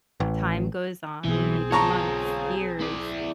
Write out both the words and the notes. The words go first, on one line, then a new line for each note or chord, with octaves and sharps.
time goes on, maybe months, years,
A1
B1 B2 E3 C4 G#4
F4 C#5 A5 A#5 C#6
E4 D5